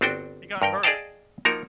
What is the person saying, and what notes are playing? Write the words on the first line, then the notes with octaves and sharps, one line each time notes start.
he got hurt
G1 C4 D4 F#4 G5
G2 A#4 G5
G#4 D5 D#5 F5 G5 A5
F3 A#3 D#4 F#4 A#4